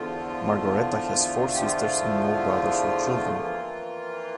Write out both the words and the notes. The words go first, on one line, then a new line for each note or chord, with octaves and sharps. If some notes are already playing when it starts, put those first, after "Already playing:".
Margareta has four sisters and no brothers or children.
Already playing: E2 D3 F3 A3 F4
G4
F4
F2 E3 A#3